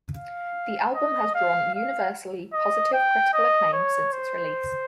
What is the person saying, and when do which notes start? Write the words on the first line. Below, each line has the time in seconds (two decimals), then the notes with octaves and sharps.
The album has drawn universally positive critical acclaim since its release.
0.15 F5
0.94 D#5
1.35 F5
1.74 F5
2.53 D#5
2.93 G5
3.33 D#5
3.73 C#5
4.13 C5